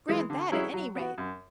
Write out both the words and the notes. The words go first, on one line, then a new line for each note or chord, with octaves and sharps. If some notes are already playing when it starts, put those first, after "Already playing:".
Grant that at any rate.
E3 G#3
D3
F#3 C#4 E4 G#4
F#3
B3 F#4
F#2